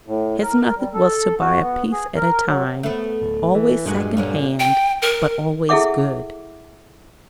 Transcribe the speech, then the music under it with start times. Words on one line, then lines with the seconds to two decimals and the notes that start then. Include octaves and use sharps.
His method was to buy a piece at a time, always second-hand, but always good.
0.06 A2
0.43 A#4
0.76 G3
0.94 A4
1.39 F#4
1.62 B3
1.92 G#4
2.16 A#4
2.48 F#3
2.83 A3 B3
3.22 D1
3.55 E3
3.86 G2 A#2 G#3 F#4
4.17 A#2 D3 C#4
4.60 G5
5.02 A#4
5.69 E4 G#4 A4 E5 F#5 D6